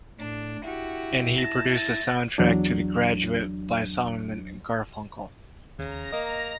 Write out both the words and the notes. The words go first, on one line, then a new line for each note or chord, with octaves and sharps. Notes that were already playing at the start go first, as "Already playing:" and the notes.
And he produced the soundtrack to "The Graduate", by Simon and Garfunkel.
A2 D4
E4 F#4 G4
A5 A#6
A6
E2 F#3 D4
D#2 C#3 A#5 A#6
A#3 D#5